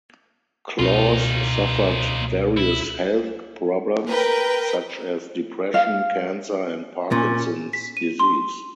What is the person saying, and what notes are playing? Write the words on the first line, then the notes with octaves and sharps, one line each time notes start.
Claus suffered various health problems, such as depression, cancer and Parkinson's disease.
C#2 B2 D#4 F4
C#2 E4
A#4 B4 G5
F5
A#2 C#4
B6
D#7
C6